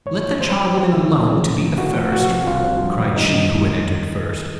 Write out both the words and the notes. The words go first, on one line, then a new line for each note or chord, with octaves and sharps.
"Let the charwoman alone to be the first!" cried she who had entered first.
G#2 C#5
F3
G#2 C5
F3
C#2
C#3 E3
C#2
C#3 E3
A2
F3
A2 F#4
F3
C2 F#4
C3 F3
C2 F4
C3 F3
G2
D#3 F#3
G2 D#4